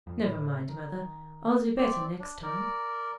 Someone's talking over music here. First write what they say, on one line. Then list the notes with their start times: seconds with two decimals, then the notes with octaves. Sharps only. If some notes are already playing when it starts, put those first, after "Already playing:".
'Never mind, Mother; I'll do better next time.'
0.07 F2
0.24 A2
0.69 D#3
1.77 C4 D5
2.19 D4
2.43 A#4 D5